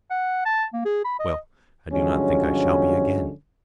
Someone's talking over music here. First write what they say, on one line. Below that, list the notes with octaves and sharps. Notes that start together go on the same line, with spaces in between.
Well, I do not think I shall be again.
F#5
A5
A#3
G#4
B5
D#5
G2 D3 F3 F#3 G#3 C#4